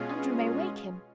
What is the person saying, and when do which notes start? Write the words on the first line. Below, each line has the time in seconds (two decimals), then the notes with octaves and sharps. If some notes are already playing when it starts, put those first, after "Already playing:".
"Andrew may wake him."
Already playing: B2 G#3 C#4 F4 G#4